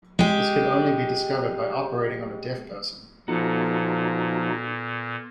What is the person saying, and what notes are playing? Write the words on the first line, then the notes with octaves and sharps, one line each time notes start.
This could only be discovered by operating on a deaf person.
G#3 G4
A#2 F3 B3 D#4 F#4 A4 A#5